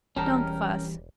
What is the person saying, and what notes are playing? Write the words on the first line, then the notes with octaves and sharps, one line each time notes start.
Don't fuss.
E1 E2 G3 C#4 G4 A#4 A5